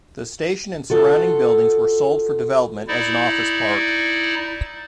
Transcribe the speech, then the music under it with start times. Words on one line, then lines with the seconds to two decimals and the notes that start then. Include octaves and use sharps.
The station and surrounding buildings were sold for development as an office park.
0.90 F4 F#4 A4
2.88 D#4 E4 D5